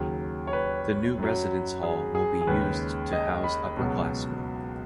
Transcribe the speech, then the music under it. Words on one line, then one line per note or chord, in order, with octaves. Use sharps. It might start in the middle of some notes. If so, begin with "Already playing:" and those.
The new residence hall will be used to house upperclassmen.
Already playing: D#2 C#3 F#3
C#5
B4
F#2 F#3
G#4
G#4
G#4
D#2 C#3 G#3 B4
D#5
B5
C#2 B2 F#3